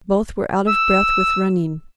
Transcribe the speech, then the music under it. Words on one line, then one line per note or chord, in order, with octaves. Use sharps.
Both were out of breath with running.
E6